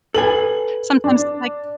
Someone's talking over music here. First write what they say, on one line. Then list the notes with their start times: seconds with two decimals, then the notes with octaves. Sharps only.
sometimes, like
0.14 A4 B4 G#5 F#7
1.04 D4